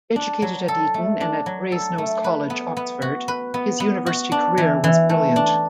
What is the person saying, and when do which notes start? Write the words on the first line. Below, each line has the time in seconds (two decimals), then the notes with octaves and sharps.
Educated at Eton and at Brasenose College, Oxford, his university career was brilliant.
0.16 D4
0.42 F#3
0.68 A4
0.94 A3
1.21 D4
1.46 F#3
1.72 A4
1.98 A3
2.24 B4
2.50 B3
2.77 B3
3.02 F#4
3.28 B4
3.54 B3
3.80 B3
4.06 F#4
4.32 D4
4.58 E3
4.84 E3
5.09 A3
5.36 D4